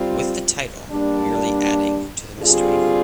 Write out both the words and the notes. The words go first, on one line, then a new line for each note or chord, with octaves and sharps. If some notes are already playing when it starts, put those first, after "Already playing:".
With the title merely adding to the mystery.
Already playing: G3 C4 F4
G3 A#3 D4
D3 G3 C4 F4 G#4